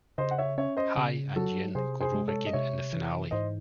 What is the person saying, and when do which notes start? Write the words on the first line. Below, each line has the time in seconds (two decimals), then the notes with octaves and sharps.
Hei and Yin go rogue again in the finale.
0.18 C#3 C5 D#5
0.31 F#5
0.38 C#5 E5
0.58 C#4 C#5 E5
0.77 C5 D#5
0.97 C#3
1.36 F#3 F#4 A4
1.75 C3 G#4 C5
2.01 G#4 C5
2.14 G#3
2.28 A4 C#5
2.46 D#5
2.53 C3 C#5 E5
2.93 E3
3.31 G#2 C5 D#5